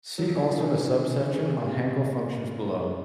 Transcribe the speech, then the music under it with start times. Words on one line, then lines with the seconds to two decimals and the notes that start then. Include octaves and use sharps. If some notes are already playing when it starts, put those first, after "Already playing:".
See also the subsection on Hankel functions below.
0.18 F#3
0.22 F3
0.36 E3
0.50 D#3
0.63 D3
1.32 C#3
1.46 C3